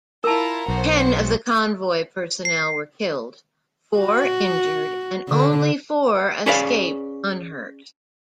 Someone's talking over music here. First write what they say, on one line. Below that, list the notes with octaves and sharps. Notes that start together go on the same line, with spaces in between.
Ten of the convoy personnel were killed, four injured and only four escaped unhurt.
E4 F4 A#4 A5 A#5
B1 F#4 C5
C7
F#4
D3
C#4 G#4 B4 D5 F5